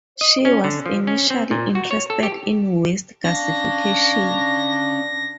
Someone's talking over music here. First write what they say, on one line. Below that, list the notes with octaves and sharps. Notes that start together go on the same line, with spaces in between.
She was initially interested in waste gasification.
D#5
C#4
D3
F3
C#4
C4
A#2
F#4
C#5
A4
G4
C#4 D4 F5 A#6